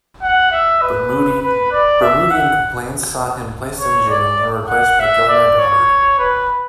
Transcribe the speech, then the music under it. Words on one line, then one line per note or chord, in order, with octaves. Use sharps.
Bermudian complaints saw him placed in jail, and replaced by Governor Goddard.
F#5
E5
B4
B4
D5
E5
F#5
C#5
D5
F#5
E5
D5
C#5
B4